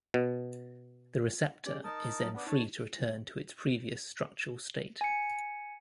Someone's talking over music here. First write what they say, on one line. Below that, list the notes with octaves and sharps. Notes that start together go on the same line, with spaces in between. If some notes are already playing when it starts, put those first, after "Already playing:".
The receptor is then free to return to its previous structural state.
B2
C#4 G4 G#4 D5
D#4 A#4 A5 D#6
F#3 A#3 F4
B3 D4 F#5 B5 D6
D4 D#4 C#5 A5
G#5 C#7